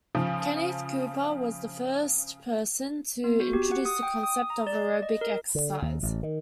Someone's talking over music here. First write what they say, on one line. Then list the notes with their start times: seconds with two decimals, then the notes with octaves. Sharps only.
Kenneth Cooper was the first person to introduce the concept of aerobic exercise.
0.15 C#3 F3
3.24 B3
3.40 F#4
3.53 G4
3.72 F#5
3.85 D#6
4.03 G5
4.23 D#6
4.50 A#5
4.67 D5
5.02 D#5
5.21 A#4
5.55 D3
5.82 D#2
6.03 A1
6.23 D#3